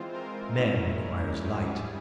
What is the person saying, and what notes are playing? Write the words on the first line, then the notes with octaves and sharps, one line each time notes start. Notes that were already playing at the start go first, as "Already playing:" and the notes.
Man requires light.
Already playing: E3 G#3 C4 F4 C5
A#4
A#2 G#3 C#4 E4
A#4
G2 G3 C#4 E4 G#4